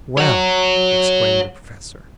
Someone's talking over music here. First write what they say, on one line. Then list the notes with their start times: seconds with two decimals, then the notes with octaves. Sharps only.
"Well!" exclaimed the Professor.
0.18 C#5 F#5